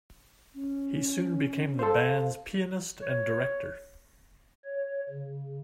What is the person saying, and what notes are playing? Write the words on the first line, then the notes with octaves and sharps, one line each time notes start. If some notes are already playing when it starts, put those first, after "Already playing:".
He soon became the band's pianist and director.
C#4
A4 C5 F5
C#5
C#5
C#3